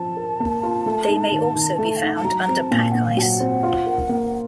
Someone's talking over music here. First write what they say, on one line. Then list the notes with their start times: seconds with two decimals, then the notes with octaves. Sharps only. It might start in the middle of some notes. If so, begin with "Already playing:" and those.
They may also be found under pack ice.
Already playing: F3 A5
0.17 A#4
0.40 A#3
0.63 F4
0.86 A3
1.08 D#4
1.32 D#3
1.55 D#3
1.79 A3
1.97 F5
2.02 D#4 F#5
2.16 A5
2.24 F#3 A#5
2.42 A#5
2.48 C4
2.60 A5
2.71 A#2
2.77 A5
2.91 A#2 F#5
3.05 F5
3.17 F#3 A5
3.23 F#5
3.40 C4
3.63 F4
3.87 A#4
4.09 A#3